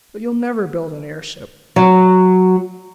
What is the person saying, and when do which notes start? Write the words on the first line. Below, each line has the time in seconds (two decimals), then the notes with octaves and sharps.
"But you'll never build an airship!"
1.76 F#3